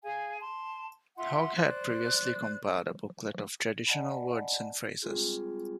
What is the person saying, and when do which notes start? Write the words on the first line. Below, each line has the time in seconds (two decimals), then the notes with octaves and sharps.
Hogg had previously compiled a booklet of traditional words and phrases.
0.04 G#4 F5 G#5
0.39 A5 C6
1.16 F4 E5 F#5 C6
1.56 C5 D5 F#6
3.87 D5 D#5 F#5 G#5 A5 B5
5.02 G3 G#3 C4 F4 G#4